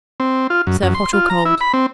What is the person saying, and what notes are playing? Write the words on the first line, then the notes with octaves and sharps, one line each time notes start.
Serve hot or cold.
C4
F4
F#2
F#2
C6
F4
A#5
E4
B5
C4